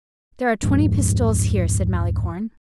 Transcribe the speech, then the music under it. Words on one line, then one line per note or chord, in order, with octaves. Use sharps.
"There are twenty pistoles here," said Malicorne.
D1 F2 G#2 D4